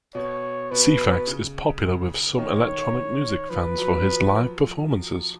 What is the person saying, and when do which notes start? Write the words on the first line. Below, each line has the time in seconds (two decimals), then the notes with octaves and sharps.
Ceephax is popular with some electronic music fans for his live performances.
0.15 B2 C#5
0.71 B2 B4
1.27 C#3
2.38 D#3 C#5
3.50 F3 B4
3.78 F#3
4.05 F3